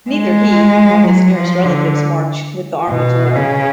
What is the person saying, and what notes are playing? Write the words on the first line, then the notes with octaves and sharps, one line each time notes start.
Neither he nor his nearest relatives march with the army to war.
G#3
F#3
F3
D3
B2
C#3